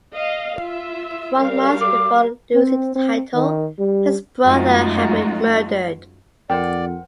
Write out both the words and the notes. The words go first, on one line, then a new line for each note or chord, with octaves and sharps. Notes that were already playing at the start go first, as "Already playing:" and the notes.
One month before losing the title, his brother had been murdered.
D#5 F5
F4 E5
G3 A#4 F5
D6
C4
C4
D#3
G3
F#2 G#3 A3 D#4 F4 F#4
F2 A#4 C5 D5 F#5 G5